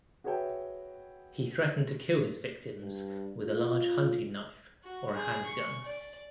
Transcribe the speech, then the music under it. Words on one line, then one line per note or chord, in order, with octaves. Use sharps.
He threatened to kill his victims with a large hunting knife or a handgun.
F#4 G#4 B4 C#5 E5 G5
G2
F4
F#4
G#4
C#6
D5